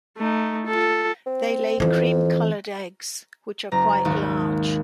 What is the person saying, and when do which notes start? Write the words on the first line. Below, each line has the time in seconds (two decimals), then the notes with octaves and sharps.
They lay cream-colored eggs which are quite large.
0.17 A3 D#4
0.66 F4 A4
1.26 C4
1.80 F2 E3 C4
3.72 F#1 A#5
4.05 G#1 D#2